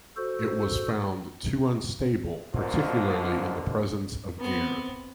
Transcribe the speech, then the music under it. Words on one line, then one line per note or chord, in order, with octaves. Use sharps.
It was found too unstable, particularly in the presence of air.
F#4 A4 C5
A#1 G#2 B2 D3 F3 A#3
B3 C4